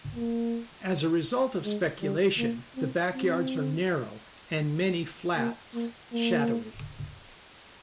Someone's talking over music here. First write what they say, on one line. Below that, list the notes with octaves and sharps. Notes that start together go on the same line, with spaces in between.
As a result of speculation, the backyards are narrow, and many flats shadowy.
A#3
G#3
G3
A#3
C4
C4
A#3
A#3
A#3